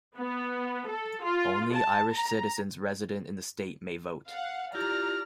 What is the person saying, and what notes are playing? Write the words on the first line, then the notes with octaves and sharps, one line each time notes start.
Only Irish citizens resident in the state may vote.
B3
A4
F4
A5
A#5
F5 F#5
E4 F4 G4 D5 A#5 F6